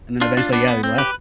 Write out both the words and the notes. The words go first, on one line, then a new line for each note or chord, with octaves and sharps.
and then eventually, yeah, they left.
D4 F4
D4 F4
B3 D4
B3
C4
G4 B4